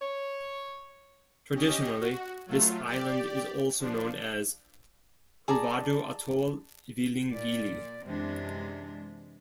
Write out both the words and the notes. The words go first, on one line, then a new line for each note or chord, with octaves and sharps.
Traditionally this island is also known as 'Huvadu Atoll Vilingili'.
C#5
C#4 G4 D#5
F#4
F#3 A3 F4
G4 D5
F3 D4
G#4 D5 A5 A#5
A#2 D5
F#2 C3 E3 G#3 D4